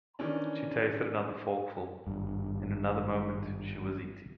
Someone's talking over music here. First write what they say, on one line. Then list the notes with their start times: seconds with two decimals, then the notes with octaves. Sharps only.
She tasted another forkful — in another moment she was eating.
0.19 D#3 E3 C#4 D4
2.07 G#1 G2